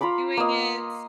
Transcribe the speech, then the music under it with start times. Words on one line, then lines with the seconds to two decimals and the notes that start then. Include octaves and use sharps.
"doing it?"
0.01 F4 A#5 B5 D6
0.37 A#3 D#5